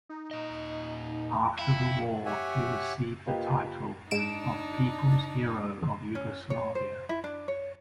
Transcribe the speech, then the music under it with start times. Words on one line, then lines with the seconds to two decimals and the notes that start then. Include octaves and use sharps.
After the war he received the title of People's Hero of Yugoslavia.
0.09 D#4
0.31 A#2 D#5
1.59 E4 F5 G5
2.25 G4 C#5 E5 F#5 G#5
3.26 A#3 F4 G4 B4 D#5
4.11 G#2 D4 D#4 D7 E7
6.15 C#4
6.50 C#5
6.75 C5
7.09 E4
7.24 D4
7.48 C#5